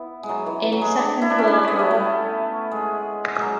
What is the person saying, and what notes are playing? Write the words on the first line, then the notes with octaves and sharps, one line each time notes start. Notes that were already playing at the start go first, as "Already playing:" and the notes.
In Second World War.
Already playing: B3 E4
G#3
F#3
E3
E3
F#3
G#3
D4
E4
D4
C#4
D4
B3 C#4
A3
A3
G#3
G#3
F#3